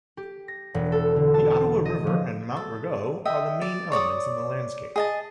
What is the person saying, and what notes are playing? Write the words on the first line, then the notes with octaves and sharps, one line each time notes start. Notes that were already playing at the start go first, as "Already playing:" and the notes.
The Ottawa River and Mount Rigaud are the main elements in the landscape.
G4
A#6
E1
A4
D3
A5
D#5
F3
A4
D#5 E5 G5
D5
C#5 D5 C#6 D#6
G#4 D#5 A5